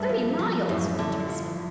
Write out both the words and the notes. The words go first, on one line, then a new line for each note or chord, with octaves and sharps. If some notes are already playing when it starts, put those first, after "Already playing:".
"Thirty miles!" returned Spilett.
Already playing: G2 A3
F3
F3
F#2 A2
D3
F3